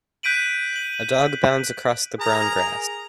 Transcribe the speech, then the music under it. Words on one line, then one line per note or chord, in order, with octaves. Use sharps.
A dog bounds across the brown grass.
F#6 G6 B6 D7 D#7 F#7
F#7
G#4 A#4 A#5